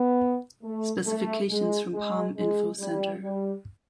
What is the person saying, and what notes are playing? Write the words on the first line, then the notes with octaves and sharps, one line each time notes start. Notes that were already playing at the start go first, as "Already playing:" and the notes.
Specifications from Palm Info Center.
Already playing: B3
A3
A3
G#3
G#3
G#3
G3
G3